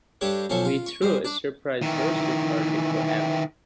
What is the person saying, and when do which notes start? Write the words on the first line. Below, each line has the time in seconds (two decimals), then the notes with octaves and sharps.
We threw a surprise birthday party for Ali.
0.21 G2 D4 G4 A4 C#5
0.49 B1 F3 C#4 A4 C#6
0.65 F4
0.86 C#6
1.02 G#2 G3 C5
1.25 D4
1.82 D#3 E3